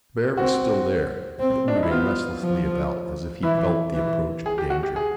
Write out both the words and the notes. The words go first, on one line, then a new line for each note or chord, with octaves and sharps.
The bear was still there, but moving restlessly about, as if he felt the approach of danger.
C4 F#4
C4
D4
D#4
E4
B3 F4
F3
E3 E4
E3
G#4
G4
F#4
G4
G#4